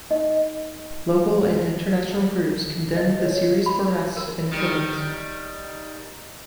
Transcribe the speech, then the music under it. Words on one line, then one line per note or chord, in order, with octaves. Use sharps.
Local and international groups condemned the series of arrests and killings.
D#4 D#5
D#5
C#5
B5
A#4
D#3 G3